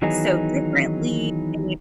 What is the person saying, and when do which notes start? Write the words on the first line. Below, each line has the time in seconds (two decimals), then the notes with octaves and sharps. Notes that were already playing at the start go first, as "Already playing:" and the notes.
so differently," and you
0.02 D#3 E3 F#3 B3 D#4 G#4